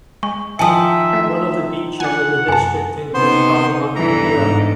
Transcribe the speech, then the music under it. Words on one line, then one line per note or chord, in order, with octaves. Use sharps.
One of the beaches in the district include Palma and Pira.
G#3 C#6
D#3 F3 E5 G#5 A5 D#6
A3 E4
D4 F#5 G#5
F#2 C3 G#5 A5
C3 B3 C#4 D#4 C5 C6
E2 G2 E3 A4 A#5
G#2